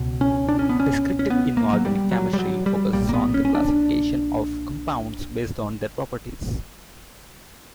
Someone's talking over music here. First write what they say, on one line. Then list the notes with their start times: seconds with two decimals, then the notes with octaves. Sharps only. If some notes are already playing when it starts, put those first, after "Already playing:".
Descriptive inorganic chemistry focuses on the classification of compounds based on their properties.
Already playing: C#2 B2
0.21 C#4
0.49 D4
0.59 C#4
0.69 B3
0.80 C#4
1.19 C#4
1.30 B3
1.57 A#3
1.73 F#3
1.85 G3
2.11 F#3
2.33 G3
2.39 F#3
2.66 G3
2.93 B1 A#2 G3
3.09 A#3
3.14 B3
3.34 C#4
3.45 C#4
3.55 D4